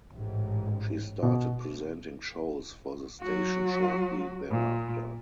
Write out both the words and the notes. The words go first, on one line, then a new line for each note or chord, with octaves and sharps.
She started presenting shows for the station shortly thereafter.
A1 G#2
B2
F#3 F#4
A#2